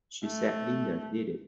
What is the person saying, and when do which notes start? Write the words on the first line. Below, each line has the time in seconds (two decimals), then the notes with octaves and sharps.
She said Linda did it!
0.25 A3